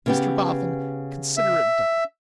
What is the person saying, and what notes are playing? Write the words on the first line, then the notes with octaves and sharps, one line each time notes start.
'Mr Boffin, consider it done.
C#3 B3 G4
E5